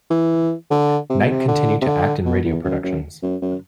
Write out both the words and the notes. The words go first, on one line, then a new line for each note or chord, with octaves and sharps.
Knight continued to act in radio productions.
E3
D3
C3
B2
C3
D3
C3
D3
B2
E2
F#2
F#2
F#2
F#2